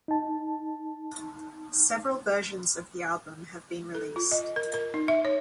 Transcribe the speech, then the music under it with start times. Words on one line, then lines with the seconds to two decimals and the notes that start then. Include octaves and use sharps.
Several versions of the album have been released.
0.08 D#4 A5
3.95 A4
4.16 F4
4.32 D#5
4.56 A#4
4.74 A#4
4.94 D#4
5.08 E5
5.25 C#5